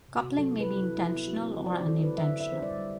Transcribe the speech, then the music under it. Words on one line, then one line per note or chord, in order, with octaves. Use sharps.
Coupling may be intentional or unintentional.
C3
F#4
C3
F#3 A4
E4
B4
F#3
E4
E4
B3
F#3 F#4
C4
E4
D5
A3 C5
E4 A4
E4 B4
D3 E5
D3
E5
D3 C5
G3 D5
G3